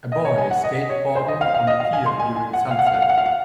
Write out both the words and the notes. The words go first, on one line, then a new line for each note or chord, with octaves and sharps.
A boy skateboarding on a pier during sunset.
D#5
C#5
G#5
F#5
D#5
C#5
C5
D#5
F5
F5
D#5
F5
G#5
C6
G#5
G#5
F#5
F5
F#5
F5
F#5
F5
F#5
F5
F#5